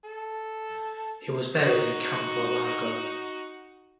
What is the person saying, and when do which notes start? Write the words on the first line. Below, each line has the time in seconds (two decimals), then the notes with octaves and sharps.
He was buried in Campo Largo.
0.05 A4
1.62 D#4 F#4